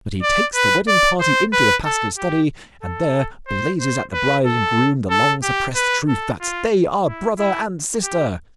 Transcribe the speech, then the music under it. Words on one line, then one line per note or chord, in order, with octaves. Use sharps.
But he takes the wedding party into the pastor's study and there blazes at the bride and groom the long-suppressed truth that they are brother and sister.
D5
B4
D5
C5
B4
A4
G4
A4
C5
C5
B4
A4
A4
G4
B4
A4
F4
E4
E4
G4